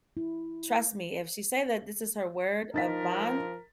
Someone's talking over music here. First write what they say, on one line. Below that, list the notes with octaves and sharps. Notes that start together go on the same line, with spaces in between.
trust me, if she say that this is her word of bond,
E4
F3 D#4 A#4 A6 B6